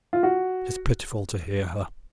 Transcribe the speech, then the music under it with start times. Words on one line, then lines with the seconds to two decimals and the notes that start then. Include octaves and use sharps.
It is pitiful to hear her.
0.13 F4
0.23 F#4